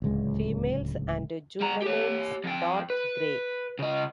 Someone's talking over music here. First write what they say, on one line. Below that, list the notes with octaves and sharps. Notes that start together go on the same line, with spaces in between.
Females and juveniles dark grey.
D1 C#2 G#3
G3 A#5
G4 C#5
F2 G5
B4
C#3 D#5